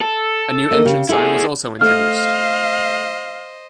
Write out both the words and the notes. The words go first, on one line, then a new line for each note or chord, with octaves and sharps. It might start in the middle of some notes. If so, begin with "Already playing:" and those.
A new entrance sign was also introduced.
A4
A#3 B3 D#5
C#3 G4
A3 E4 G#4
A3 C5 D#5 F5 F6